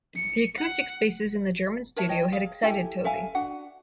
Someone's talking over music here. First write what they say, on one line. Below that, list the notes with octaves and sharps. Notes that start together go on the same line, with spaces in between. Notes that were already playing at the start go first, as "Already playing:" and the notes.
The acoustic spaces in the German studio had excited Tovey.
C#7
F#5
A#4 C#5 E5 A5
C#5 D#5 G5
G#4 F5
E4 G4 A4 G#5
A4 E5 F5 G#5
D4 F#4 F#5